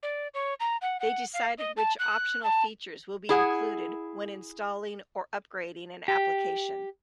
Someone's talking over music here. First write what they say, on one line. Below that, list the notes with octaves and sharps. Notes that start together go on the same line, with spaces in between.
They decide which optional features will be included when installing or upgrading an application.
D5
C#5
A#5
F#5
F#5
F5
D#5
A5
F#6
A5
E4 G#4 F#5
G4